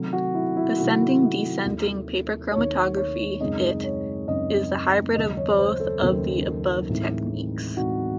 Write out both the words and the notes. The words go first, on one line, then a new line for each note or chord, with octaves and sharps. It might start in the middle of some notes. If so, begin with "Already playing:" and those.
Ascending-Descending Paper Chromatography-It is the hybrid of both of the above techniques.
Already playing: C3 D#3 F#3 A3 C4
F#4
E4
E4
C3 D#3 F#3 A3 C4 F#4
D#2 D#3 A3
D#2 D#3 A3 C#5
C#5
F#2 C#3 G#3 C4 D#4 D#5
C#5
F#2 C#3 G#3 C4 D#4 D#5
D#2 C#3 F#3 C#4 D#5
C#5
C5
A4
D#2 C#3 F#3 C#4
A2 E3 G#3 C4 D#4
A2 E3 G#3 C4 D#4 F#4